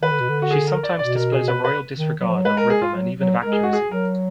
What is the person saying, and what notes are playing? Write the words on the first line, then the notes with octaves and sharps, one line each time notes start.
She sometimes displays a royal disregard of rhythm and even of accuracy.
D#3 B4
D3
B2
D3
F#4
G#4
A#4
D5
B2 D5
A#4
G#4
B4
B4
D#3
F#3
F3
F#3
G#3 B4
A#4
G#4
F4
F#3
F#3
G#3 A#4
G#4
F#4
G#4
F#3 A#4